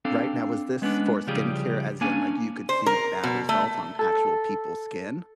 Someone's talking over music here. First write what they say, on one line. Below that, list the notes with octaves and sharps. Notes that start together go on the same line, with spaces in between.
Right now, was this for skincare as in, like, you could see bad results on actual people's skin?
C4 D4 A4 F5
G#3 B3 C#4 D4
C#3 F3 G3 F4 G4 G#4
A#3 C#4 D4 F5 G#5
C5
A#4
B2
A3
A4